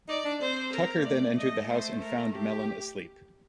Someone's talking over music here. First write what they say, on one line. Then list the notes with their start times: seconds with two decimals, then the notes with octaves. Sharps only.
Tucker then entered the house and found Mellon asleep.
0.09 D#4 D5
0.25 D4
0.41 C4 C5
0.73 A#4
0.97 A#3
1.05 A3 D5
1.38 D#5
1.69 C5
2.01 A#4
2.33 G4